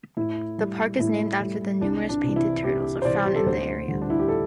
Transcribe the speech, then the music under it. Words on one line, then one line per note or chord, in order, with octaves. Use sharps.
The park is named after the numerous painted turtles found in the area.
A2 E4
G3
A2 E4
G3
C2 D4
D4
C3 E3
E4
C2 G4
C5
C3 E3 D5
G4
A4
D2 C5
D3 G3
D4
E4
G4
A4